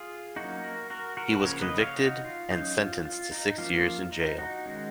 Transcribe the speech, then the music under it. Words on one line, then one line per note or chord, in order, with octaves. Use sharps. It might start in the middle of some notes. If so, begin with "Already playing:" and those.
He was convicted and sentenced to six years in jail.
Already playing: F4 G#4
F#3 A#3 C#4 D#4 F#4
F#4 A#4
F#4 A#4
F#4 A#4
B4
C#3 F3 A#3 C#4 A#4 C#5
B4 D#5
C#5 F5
D#4 F#4
F4
F#3 C#4 D#4
F4
F4
D#4
F3 A#3 C#4 F4
D#4
D#4 F#4
D#3 G#3 C#4